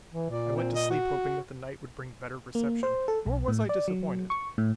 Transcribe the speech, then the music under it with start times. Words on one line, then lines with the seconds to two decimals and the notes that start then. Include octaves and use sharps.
I went to sleep hoping that the night would bring better reception, nor was I disappointed.
0.14 E3
0.30 A#2 D5
0.56 C4
0.75 D#5
0.90 F#4
2.55 A#3
2.83 C5
3.08 A4
3.26 B1
3.48 A2
3.69 D5
3.88 F#3
4.30 C#6
4.58 A2